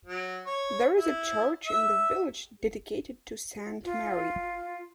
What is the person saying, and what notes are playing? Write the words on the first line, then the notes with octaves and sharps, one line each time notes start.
There is a church in the village dedicated to Saint Mary.
F#3
C#5
E4
E5
F4